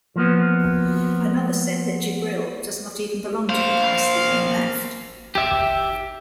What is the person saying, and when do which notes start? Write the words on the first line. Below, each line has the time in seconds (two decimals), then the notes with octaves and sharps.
Another said that Jibril does not even belong to the Palestinian Left.
0.16 F3 A#3 B3
3.49 A#3 C5 F5
5.35 G4 E5